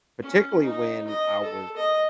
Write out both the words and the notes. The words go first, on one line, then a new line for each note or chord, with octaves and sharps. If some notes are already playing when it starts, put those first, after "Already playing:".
particularly when I was
C#4
D#4
D#5
A4
D#5